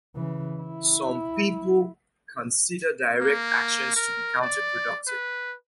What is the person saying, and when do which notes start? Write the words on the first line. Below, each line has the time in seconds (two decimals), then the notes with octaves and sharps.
Some people consider direct actions to be counter-productive.
0.15 C#3 E3
0.61 E4
3.20 A#3
3.96 A#4
4.41 D5
5.08 B4